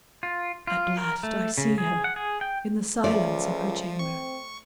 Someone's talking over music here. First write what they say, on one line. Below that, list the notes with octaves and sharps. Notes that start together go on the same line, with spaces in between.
At last, I see her, in the silence of her chamber.
F4
F4
A#4
A3
C#3
G#4
F#5
G#4
G5
C#2 F3 A3 D5
C4 C#6